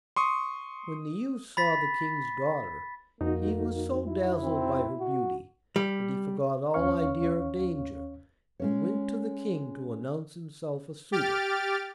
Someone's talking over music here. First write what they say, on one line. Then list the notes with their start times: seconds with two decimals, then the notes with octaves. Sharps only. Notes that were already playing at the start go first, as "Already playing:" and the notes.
When the youth saw the King's daughter, he was so dazzled by her beauty, that he forgot all idea of danger, and went to the King to announce himself a suitor.
0.16 C6 C#6 D#6
1.57 B5 A6 B6
3.21 F2 A#3 D#4 F#4
4.06 E4
4.43 C4
5.00 F#4
5.76 G3
6.74 D#2 C#4 C#5 F5 C#6
8.60 G#3 C#4 C#5
11.12 G4 F6 A6 D7